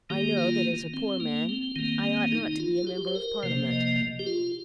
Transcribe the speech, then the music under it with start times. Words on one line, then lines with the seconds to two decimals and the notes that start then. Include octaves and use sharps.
I know that as a poor man I ought not to be a member of Parliament.
0.10 D#3 A#3 G4
0.37 F4
0.94 C4
1.20 A#3
1.49 C4
1.76 D#3 A#3 C4
2.04 C4
2.32 D#4
2.60 F4
2.87 G4
3.07 C5
3.15 A#4
3.43 C3 F3 A#3 C5
3.71 D#5
4.19 G4
4.27 F4